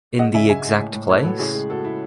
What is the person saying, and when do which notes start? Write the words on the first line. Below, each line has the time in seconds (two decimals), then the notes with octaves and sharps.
In the exact place?
0.19 G#3 D#5 F#5
0.34 C#3 E5 G#5
0.49 C#3 E5 G#5
0.65 G#3
0.80 A2
0.94 A2
1.09 A2 A4 C#5
1.20 B4
1.24 A2 F#4 A4
1.39 C#3 E4 G#4
1.54 G#3
1.70 G#3 F#4 A4
1.85 G#3 E4